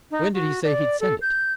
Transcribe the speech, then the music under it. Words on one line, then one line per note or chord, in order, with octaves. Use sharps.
"When did he say he'd send it?"
D#4
F#4
D5
A4
G6